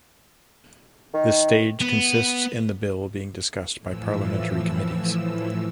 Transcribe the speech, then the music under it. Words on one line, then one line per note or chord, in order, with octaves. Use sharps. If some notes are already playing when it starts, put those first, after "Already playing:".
This stage consists in the bill being discussed by parliamentary committees.
D#3
B3
A2 E3 F3 E6